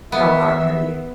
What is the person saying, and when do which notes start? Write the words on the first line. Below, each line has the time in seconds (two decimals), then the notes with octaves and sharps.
how long have you
0.12 B3 E5